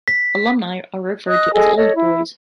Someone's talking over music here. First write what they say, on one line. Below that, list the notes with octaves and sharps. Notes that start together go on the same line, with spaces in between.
Alumni are referred to as "Old Boys".
B6
D#5 D#6 F#6
G#4 A4 D#5 G#5
A4 C#5 D#5
E4